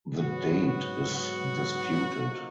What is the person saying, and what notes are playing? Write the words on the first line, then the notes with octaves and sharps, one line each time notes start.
The date is disputed.
G#2 F#3 B3 F#4
F#4
F#4
C#3 F3 A#3 D#4